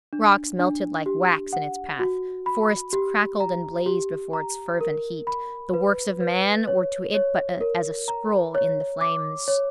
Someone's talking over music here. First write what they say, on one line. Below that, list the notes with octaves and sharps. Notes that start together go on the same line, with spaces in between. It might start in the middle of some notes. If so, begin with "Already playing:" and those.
Rocks melted like wax in its path; forests crackled and blazed before its fervent heat; the works of man were to it but as a scroll in the flames.
D4
D4
G4
F#5
F#4
B5
G4
A#5
G4
A#5
A#4
B5
B4
B4
C#5
C#5
A#4
A#5
C#5
D6
C#5